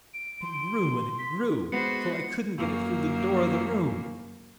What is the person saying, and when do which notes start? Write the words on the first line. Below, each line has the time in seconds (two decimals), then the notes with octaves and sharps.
It grew and it grew, till I couldn't get it through the door of the room.
0.13 D7
0.42 C6
1.18 B6
1.72 G#3 B3 F#4 B4 C5 F#5 C#7
2.57 F#2 A#3